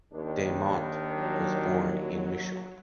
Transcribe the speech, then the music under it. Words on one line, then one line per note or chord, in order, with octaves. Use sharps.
De Monte was born in Mechelen.
D#2 D#3 D4
F#3